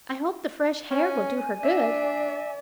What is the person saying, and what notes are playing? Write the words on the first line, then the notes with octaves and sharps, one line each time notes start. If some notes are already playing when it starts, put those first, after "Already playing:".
"I hope the fresh h'air will do her good."
C#4 G#5
D4 D5 E5